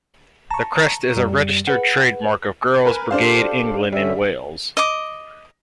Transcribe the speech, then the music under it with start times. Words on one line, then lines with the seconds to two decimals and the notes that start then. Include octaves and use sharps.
The crest is a registered trade mark of Girls' Brigade England and Wales.
0.51 A5 A#5 C#6
1.16 F#2 G3
1.67 G#4 B4 F#5
2.86 A#4 B4 G#5
3.11 D4 G4 A4 C5 F5
3.92 D3 G3 C#4 E5
4.77 D#5 D6